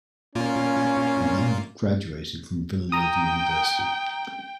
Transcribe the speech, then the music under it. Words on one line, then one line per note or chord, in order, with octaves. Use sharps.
He then graduated from Villanova University.
A#2 A#3 C#4 F4
G5 A#5 D#6